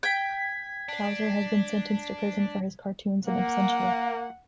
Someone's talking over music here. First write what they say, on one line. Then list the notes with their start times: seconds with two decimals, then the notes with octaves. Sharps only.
Kowsar has been sentenced to prison for his cartoons in absentia.
0.03 G5 G#6 B6
0.89 D4
3.27 A#3 F#5